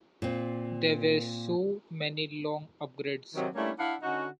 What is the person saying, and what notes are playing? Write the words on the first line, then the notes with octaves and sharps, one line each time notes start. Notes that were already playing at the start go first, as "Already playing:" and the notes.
There were so many long upgrades.
A#2 C4
C3 D#3 F#3
G3 A3 A#3 C#4 D4 E4
D4 E4 F5 F#5
D3 C#4 D#4 F#4